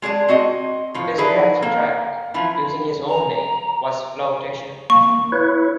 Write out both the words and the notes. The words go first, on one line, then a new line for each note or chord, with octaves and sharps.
His breakthrough track, using his own name, was "Flowtation".
G#3 G#4 D5 A5
C4 F#4 D#5
A2 F3
D#4 E4 G#4 A4 B4 D5
A#3
E3 F3 E4 F4
A#5
A#3 C#6
E4 B4 C#5